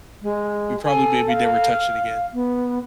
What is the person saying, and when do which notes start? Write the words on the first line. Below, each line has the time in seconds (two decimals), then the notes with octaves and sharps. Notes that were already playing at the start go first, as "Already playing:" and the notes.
we probably maybe never touched it again
0.22 G#3
0.84 A4 G#5
1.28 F5
2.33 B3